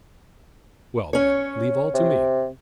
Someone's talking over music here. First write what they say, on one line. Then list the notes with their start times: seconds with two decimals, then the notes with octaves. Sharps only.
"Well then, leave all to me!"
1.13 C#4 C#5
1.94 C3